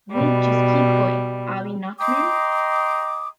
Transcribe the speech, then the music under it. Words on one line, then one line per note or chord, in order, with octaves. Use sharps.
We'd just keep going, Are we not men?
B2 G3
D#5 G5 A#5 C6 D6 D#6